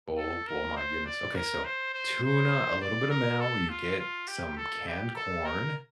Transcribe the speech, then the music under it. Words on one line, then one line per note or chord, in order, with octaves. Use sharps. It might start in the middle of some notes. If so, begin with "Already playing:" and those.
Oh, bo oh, my goodness, okay, so, tuna, a little bit of mayo, you get some canned corn.
A4
A#4
C5
D5
A#4
C5
C5
C5
D5
A#4
A4
F4
F4
G4
A4
G4
A4
A#4